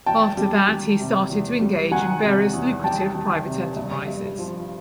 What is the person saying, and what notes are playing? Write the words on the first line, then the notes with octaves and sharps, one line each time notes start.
After that he started to engage in various lucrative private enterprises.
E2 G5 A5
G3
D#3
C3
E2
G3
D#3 F#5 G#5
C3
E2
G3 G5 A5
D#3
C3
G2
G2
F3